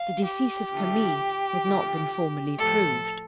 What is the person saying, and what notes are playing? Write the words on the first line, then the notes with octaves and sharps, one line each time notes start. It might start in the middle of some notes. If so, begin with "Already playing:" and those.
The decease of Camille had not been formally proved.
Already playing: F5
G4
D3 F3 A3
D3 F3 A3
A2 F3 A3 A4